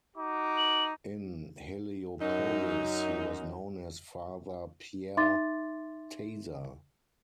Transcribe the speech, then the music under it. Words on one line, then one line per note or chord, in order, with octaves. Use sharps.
In Heliopolis he was known as Father Pierre Taza.
D#4 F#4 D6
F#7
F#2 D#4
D#4 E5 C6 D6 A6